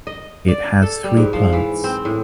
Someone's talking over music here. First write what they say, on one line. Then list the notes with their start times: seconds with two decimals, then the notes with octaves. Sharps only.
It has three plants.
0.07 D#5
0.48 D5
0.82 A4
1.04 G3
1.17 G#2
1.33 F3
1.53 E3
1.84 C4
2.05 A2